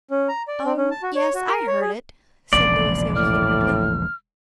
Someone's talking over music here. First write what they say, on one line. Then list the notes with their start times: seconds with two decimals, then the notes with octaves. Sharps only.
"Oh, yes, I heard it," said Louis ill-humoredly.
0.11 C#4
0.29 A#5
0.48 D5
0.65 C4
0.77 C#4
0.91 A5
1.03 F#4
1.15 C#5
1.34 F#4
1.48 A#4
1.68 C#5
1.81 G#4
2.53 E1 A#1 C#3 D5
3.16 A2 F6